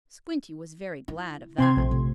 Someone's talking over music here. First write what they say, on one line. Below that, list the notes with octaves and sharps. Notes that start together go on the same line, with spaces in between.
Squinty was very glad of that.
E4
C3 C4 C6 G#6
A#1 F3 A3
C3